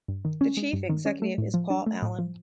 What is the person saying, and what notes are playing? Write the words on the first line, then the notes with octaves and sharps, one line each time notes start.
The Chief Executive is Paul Allen.
G2
D#3
C#4
G#3
G2
D#3
C#4
A3
A2
F3
D4
A3
A2
F3